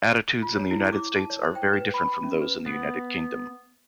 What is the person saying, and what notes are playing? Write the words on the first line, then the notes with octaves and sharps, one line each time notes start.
Attitudes in the United States are very different from those in the United Kingdom.
F4
C#5
E4
D6
A5
C#5
C5
G5
B4
B5
C#4
B4
B3